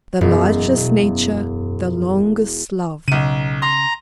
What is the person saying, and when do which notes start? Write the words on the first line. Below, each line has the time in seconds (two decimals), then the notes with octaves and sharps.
The Largest Nature, the Longest Love.
0.21 E1 F#2 B2
3.08 B1 C#3 D#7
3.62 A#5 C6